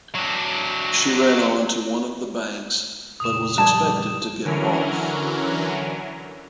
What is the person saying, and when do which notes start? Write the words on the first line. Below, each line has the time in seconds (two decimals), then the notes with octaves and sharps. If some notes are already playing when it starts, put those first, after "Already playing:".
She ran on to one of the banks but was expected to get off.
0.15 F#3 D4
3.20 F2 A#2 C#3 D#6 E7
3.58 F3 G3 A5 D6 G#6 E7
4.45 D3 E3 F#3 C#4 A#4